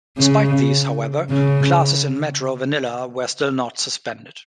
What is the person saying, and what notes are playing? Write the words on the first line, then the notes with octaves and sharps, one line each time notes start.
Despite these, however, classes in Metro Manila were still not suspended.
C#3
C#3